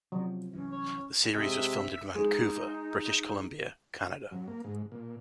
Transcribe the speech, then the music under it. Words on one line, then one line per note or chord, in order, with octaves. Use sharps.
The series was filmed in Vancouver, British Columbia, Canada.
C3 F3 F#3
C2 F#2 E3 C#4
C#5
C3 G#3 E5
G#3 D#4
F#2
A#3
G#2
A#2